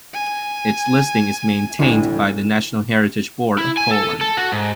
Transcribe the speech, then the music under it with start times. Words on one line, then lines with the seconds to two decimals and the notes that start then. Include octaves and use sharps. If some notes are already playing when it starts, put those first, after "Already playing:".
Its listing is maintained by the National Heritage Board of Poland.
0.13 G#5
1.79 G1 D2 A2
3.58 E4
3.77 G#5
3.91 A4
4.21 A4
4.37 F#4
4.52 G#2